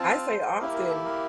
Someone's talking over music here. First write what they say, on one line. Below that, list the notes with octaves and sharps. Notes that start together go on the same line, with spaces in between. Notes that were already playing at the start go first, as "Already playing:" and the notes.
I say often
Already playing: C4 F4 A5
C5
A#3 E4 G4 A#4
A#4
A4
A#4